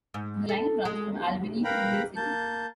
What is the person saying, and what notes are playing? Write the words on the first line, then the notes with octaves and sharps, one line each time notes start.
The line runs from Albany to Mill City.
G#2
A4
G#3
A#4 B4 F5 G5 A#5 B5
A#3 A5 G6